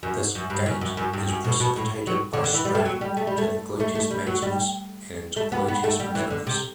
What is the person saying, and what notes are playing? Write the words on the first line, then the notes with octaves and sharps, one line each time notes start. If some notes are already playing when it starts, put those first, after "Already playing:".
This gait is precipitated by strain to the gluteus maximus and gluteus minimus.
F#2
F#2
G2
F#2
F#2
F#2
G2
F#2
B2
B2
A2
F#3
D3
D3
E3
G3
A3
F#3
G3
A3
G3
A3
A3
A3
G3
F#3
G3
A3
B3
B3
A3
G3
E3
D3
C3